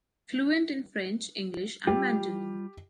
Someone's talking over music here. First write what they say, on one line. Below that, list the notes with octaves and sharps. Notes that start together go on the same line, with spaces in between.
Fluent in French, English and Mandarin.
G3 F4 G4